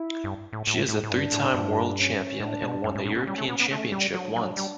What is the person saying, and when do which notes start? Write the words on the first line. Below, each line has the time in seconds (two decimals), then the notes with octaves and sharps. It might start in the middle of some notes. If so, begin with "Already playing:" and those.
She is a three-time world champion, and won the European championship once.
Already playing: E4
0.24 G2
0.53 A2
0.67 A2
0.88 A2
1.04 A2
1.11 G2 D4
1.32 A2
1.54 G2
1.98 C#4
2.40 A2 D4
2.62 B2
2.84 G2 C#4
2.95 A2
3.06 A2
3.16 B2
3.27 G3
3.38 A3
3.49 B3
3.60 B3
3.71 A3
3.92 G3
4.14 F#3 D4
4.36 F#3
4.57 G3